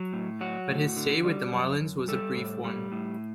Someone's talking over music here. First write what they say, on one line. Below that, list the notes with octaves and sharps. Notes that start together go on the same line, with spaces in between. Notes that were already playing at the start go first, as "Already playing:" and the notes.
But his stay with the Marlins was a brief one.
Already playing: F#3
A2
F#3 F#4
A2
D3
G3
F#2
F#2
G3 A4
A2
G3
A2